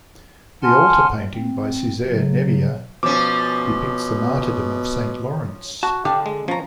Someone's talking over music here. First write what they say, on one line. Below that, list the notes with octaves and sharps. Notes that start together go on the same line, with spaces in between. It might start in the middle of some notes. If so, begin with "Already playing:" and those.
The altar painting by Cesare Nebbia depicts the martyrdom of Saint Lawrence.
F#5 G#5 A5 C6 F6
C4
C#3 F#3
B2 F3 C#4 D6
F#4 A5
D3 D4 G4 F5
G#3
F3 C#4 A#5